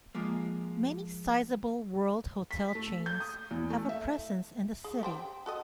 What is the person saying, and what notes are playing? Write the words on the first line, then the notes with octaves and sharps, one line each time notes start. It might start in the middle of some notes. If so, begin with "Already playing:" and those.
Many sizable world hotel chains have a presence in the city.
F3 G#3 A#3
B6
A3
G6
D#6
E2
A3
E5
G#4
G3 C5 G5
F#4 A4 D#5